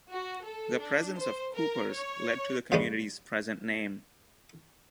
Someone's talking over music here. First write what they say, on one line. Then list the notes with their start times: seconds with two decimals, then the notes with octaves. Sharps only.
The presence of coopers led to the community's present name.
0.11 F#4
0.44 A4
0.80 D4
1.17 C5
1.54 A#4
1.92 C#5
2.72 G2 C#3 G3 G#3 C#4 D4